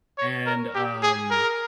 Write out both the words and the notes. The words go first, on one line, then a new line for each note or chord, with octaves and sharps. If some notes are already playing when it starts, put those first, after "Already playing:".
and, um,
C#5
A#4
G4
G#4
A#4